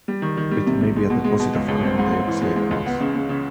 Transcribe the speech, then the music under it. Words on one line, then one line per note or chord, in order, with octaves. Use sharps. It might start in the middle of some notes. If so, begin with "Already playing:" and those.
It may be a deposit of carbon dioxide ice.
G3
D#3
D#3
G3
C3
C3
G#3
B2
G#3
B2
C#2
C#2
C4
G#2
G#2
E3
G#3
G#3
C#2
B3
C#3
C#3
C#3